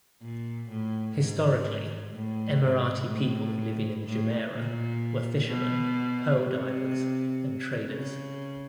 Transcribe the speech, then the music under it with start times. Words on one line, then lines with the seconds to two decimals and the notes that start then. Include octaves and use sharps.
Historically, Emirati people living in the Jumeirah were fishermen, pearl divers and traders.
0.21 A#2
0.69 A2
1.17 G#2
2.13 A2
2.61 G#2
3.08 A2
4.04 A2
4.51 A#2
5.47 B2
6.43 C3
7.86 C#3